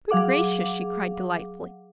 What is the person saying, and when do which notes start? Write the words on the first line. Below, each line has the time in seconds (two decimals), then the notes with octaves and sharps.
"Good gracious!" she cried, delightedly.
0.11 F#3 G#4 F5 F#5 D6